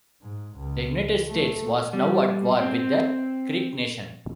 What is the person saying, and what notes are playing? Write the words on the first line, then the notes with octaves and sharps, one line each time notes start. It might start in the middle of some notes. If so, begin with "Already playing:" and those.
The United States was now at war with the Creek Nation.
G#2
C#2
A3
G3
C4